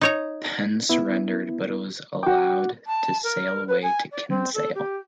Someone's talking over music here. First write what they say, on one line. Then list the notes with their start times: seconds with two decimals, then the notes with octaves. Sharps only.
Penn surrendered but was allowed to sail away to Kinsale.
0.01 D#4 C#5 A#5
0.90 B3 E4
2.23 F#4 G5 D6
2.87 A5
3.24 A#4
3.68 B4
3.82 G#5
4.12 D5
4.29 C4
4.54 A4
4.75 G4